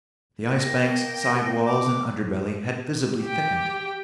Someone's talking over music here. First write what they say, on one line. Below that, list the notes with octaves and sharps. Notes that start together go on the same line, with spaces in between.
The Ice Bank's side walls and underbelly had visibly thickened.
A#3 G5 A#6
D6
G4 G5